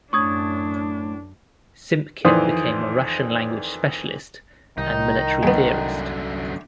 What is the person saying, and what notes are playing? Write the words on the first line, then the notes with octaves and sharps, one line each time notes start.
Simpkin became a Russian language specialist and military theorist.
F#2 A2 D4 C#6 D#6 G#6
F2 D#3 E3 C5 D5 D#6
C2 D#3 D#4
F#2 D3 G#3 B3